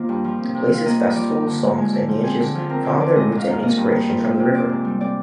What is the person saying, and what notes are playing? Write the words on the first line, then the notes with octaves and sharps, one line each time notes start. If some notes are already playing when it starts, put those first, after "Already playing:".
The place's festivals, songs and dances found their roots and inspiration from the river.
Already playing: D#3 A#3 F4 A#4 C5 D5 F5
G2
F3
C4
C3
F3 F5
A#3 D#5
G2 D#5
F3 D5
D#4
D3
G#3
G#3
D3
F3
C4 G#4
D3
F3
C4 A#4
D3 C5
F3 D5
G#3 D#5
G#2
F5
D#3
F5
A#3 D#5
G2
D#3
F3
F2
C3
C4 D5
G#2
G3
C4 D5